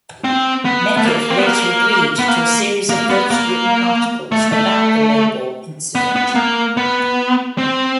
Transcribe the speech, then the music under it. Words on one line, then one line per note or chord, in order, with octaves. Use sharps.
Meckiff later agreed to a series of ghost-written articles about the no-ball incident.
C4
B3
A3
A#3
C4
B3
A#3
B3
A#3
A#3
B3
A#3
A3
A3
B3
B3
A#3
B3
C4